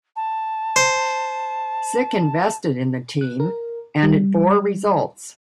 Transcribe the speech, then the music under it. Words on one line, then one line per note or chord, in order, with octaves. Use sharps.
Sick invested in the team, and it bore results.
A5
C5
F#6
A#4
G3